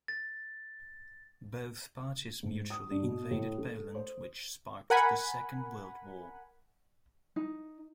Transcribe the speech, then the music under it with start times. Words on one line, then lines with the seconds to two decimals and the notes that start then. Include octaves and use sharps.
Both parties mutually invaded Poland which sparked the Second World War.
0.08 A6
2.43 G#2
2.70 D#6
2.91 G2
3.03 B2
3.31 A2
3.58 A3
3.95 C5
4.90 A#4 F#5 G#5 B5
7.36 D#4